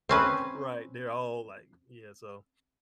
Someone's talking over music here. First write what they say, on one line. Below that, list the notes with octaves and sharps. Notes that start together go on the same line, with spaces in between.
Right, they're all like Yeah, so
C4 C#4 B4